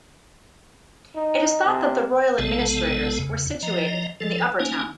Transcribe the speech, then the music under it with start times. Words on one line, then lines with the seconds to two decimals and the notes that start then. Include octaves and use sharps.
It is thought that the royal administrators were situated in the Upper Town.
1.15 D#4
1.66 C3
2.38 A#1 C3 G#3 B3 A4 A5
3.19 E2 C#3
3.63 F3 D#5 A#5
4.20 F3 A4
4.60 A#3 C#4 D#4 G#5